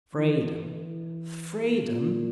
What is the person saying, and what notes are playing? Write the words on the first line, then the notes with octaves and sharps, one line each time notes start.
Freedom, freedom!
E3
A#2